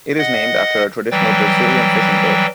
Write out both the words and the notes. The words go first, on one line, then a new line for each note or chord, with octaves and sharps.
It is named after a traditional Brazilian fishing boat.
D#5 F#5
E3 F#3 G3 G5